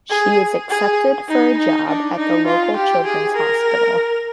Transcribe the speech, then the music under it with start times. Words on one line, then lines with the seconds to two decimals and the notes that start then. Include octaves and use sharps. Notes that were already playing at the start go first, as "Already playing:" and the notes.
She is accepted for a job at the local children's hospital.
0.10 G#4
0.69 G#4
1.28 D#4
1.57 D#4
1.88 D4
2.17 D#4
2.46 F4
2.76 G4
3.06 G#4
3.35 A#4